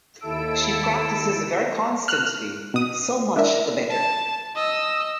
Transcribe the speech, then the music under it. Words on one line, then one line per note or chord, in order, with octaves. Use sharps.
She practises very constantly. So much the better.
D#2 E4 A4 E6 D7
F6 F#6
B2 D#6
D4 E4 A#4 E5
A5
D#5 E6